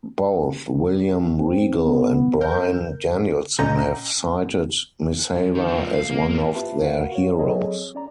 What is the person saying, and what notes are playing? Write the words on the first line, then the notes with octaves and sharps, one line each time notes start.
Both William Regal and Bryan Danielson have cited Misawa as one of their heroes.
C4
B3
A#4 G6
A#2 C#4 D#5 A#5 G6 A#6
F#2
D#3
F3 D4
B1 F5
A#3
G#2 A#3
C4 F4 G4 B4 E5 A5
F#4 A#4 B4 F5 F#5
F#4 C#5
F#3 C4 G#4 A4 C#5 D#5
C#4 D5 A#5